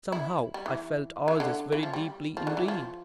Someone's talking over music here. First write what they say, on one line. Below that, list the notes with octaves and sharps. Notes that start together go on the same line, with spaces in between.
Somehow I felt all this very deeply indeed.
E4
G3
E3
E3
D3
E3
F3
G3
F3
D3
E3
F3